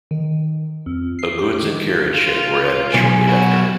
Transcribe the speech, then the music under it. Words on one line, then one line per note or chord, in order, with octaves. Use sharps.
A goods and carriage shed were added shortly after.
D#3
F2
C7
G4
D#3
F4
B1 G#5
E4 F#4